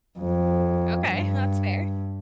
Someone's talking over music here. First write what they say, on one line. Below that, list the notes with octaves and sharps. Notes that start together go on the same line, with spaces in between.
Okay, huh, that's fair.
F2
G2